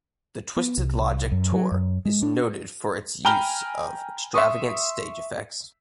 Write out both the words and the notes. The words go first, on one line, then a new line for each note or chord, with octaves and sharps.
The Twisted Logic Tour is noted for its use of extravagant stage effects.
B3
C2
F#2
F#3
F#2
G#3
D4
G5 G#5 A#5 B5 F6 G7
E5 C6 C#6 D#6